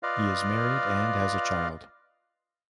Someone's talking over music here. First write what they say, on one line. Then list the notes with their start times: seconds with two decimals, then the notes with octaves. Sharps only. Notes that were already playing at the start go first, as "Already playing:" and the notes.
He is married and has a child.
0.03 F4 B4 D5 D#5 F5